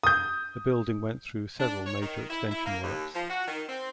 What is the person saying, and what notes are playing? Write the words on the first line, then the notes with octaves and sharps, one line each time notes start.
The building went through several major extension works.
D#6 G6
D4
C#5
D#3
E4
E4
A#3
D#2
F3
F#4
D#3
C4